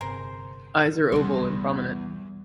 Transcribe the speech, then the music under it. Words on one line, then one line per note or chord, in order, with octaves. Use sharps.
Eyes are oval and prominent.
G1 C3 G#4 A#4 C5
B1 E2 C3 G3 A3 F#5 C6